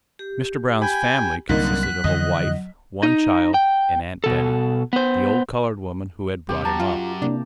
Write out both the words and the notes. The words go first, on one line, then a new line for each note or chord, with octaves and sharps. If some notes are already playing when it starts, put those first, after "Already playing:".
Mr. Brown's family consisted of a wife, one child, and Aunt Betty, the old colored woman who had brought him up.
G4
G5 G#5 B5
C2 D3 F#3 A#3 D#4 F#6
B6
F2 D3 E3 D#5
D#4
G5
B2 A4
B3 C5
G2 C3 G4
F#2 F#4 A5 A#5
F4
C3 A#3 D4 E4